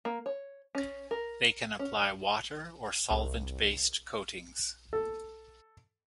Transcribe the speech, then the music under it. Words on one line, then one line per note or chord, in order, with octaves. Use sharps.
They can apply water- or solvent-based coatings.
A#3
C#5
C#4
A#4
C#4
C2
A4